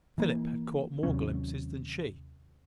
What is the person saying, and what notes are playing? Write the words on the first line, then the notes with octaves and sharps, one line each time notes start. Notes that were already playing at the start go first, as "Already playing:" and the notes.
Philip had caught more glimpses than she.
E3 A#3
D#2 C3 F#3 C#4